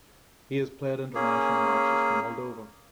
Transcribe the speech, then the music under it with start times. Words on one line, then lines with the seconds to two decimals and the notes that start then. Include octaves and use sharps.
He has played international matches for Moldova.
1.15 A#3 C#4 G#4